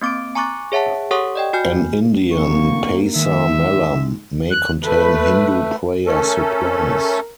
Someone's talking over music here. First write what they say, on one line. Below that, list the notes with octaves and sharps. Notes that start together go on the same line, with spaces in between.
An Indian pasar malam may contain Hindu prayer supplies.
A#3 C4 D6 A6 D7
G#5 A#5 C#6 D6 F#6 A6
G#4 C#5 E5 F#5 A5
G4 A4 C#5 F#5 C#6 D#6
D5 D#5 G5
F#4 G#5 F6 G6
D1 A#3 C#6
G#2 D#3 E5
F#6
A3 B4
A3 C#4 A4 A#4